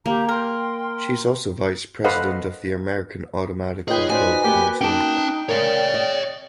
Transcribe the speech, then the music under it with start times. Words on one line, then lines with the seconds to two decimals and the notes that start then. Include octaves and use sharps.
She is also vice president of the American Automatic Control Council.
0.06 A#3 G4 A#5
0.29 A#4 G5 C6
2.04 A4 B4 C5 D#5 F5 F#5
3.88 D#4 F4 G#4 B4 C#5 G5
4.10 F#4 B4 C5 D5 G#5
4.44 A#3 B3 F#4 G4
4.81 C#4 D#4 G5 A5
5.49 G#3 A#4 C#5 D5 F5
5.94 D#5